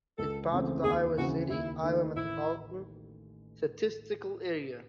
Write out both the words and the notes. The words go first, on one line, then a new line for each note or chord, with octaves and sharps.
It part of the Iowa City, Iowa Metropolitan Statistical Area.
C#2 A4
C#3 E3 A3 C4
D#2 G#4
C#3 E3 C4 E4 F#4
D#2 E4
D#3 A3 D#4
A1 E4